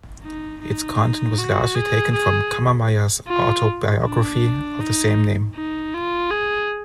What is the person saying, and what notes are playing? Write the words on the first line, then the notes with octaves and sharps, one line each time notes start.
Its content was largely taken from Cammermeyer's autobiography of the same name.
D#4
D#4
F#4
G#4
G#4
F4
D4
D#4
D#4
F4
G#4